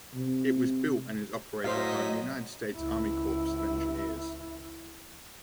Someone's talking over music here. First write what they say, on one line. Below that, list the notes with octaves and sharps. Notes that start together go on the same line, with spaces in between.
It was built and is operated by the United States Army Corps of Engineers.
C3
A2 F#3 C5 D#5 F5 B6
C#2 E4